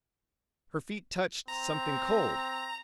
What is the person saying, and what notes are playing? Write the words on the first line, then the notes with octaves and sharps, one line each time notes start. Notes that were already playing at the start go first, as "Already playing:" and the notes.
Her feet touched something cold!
C4 A#5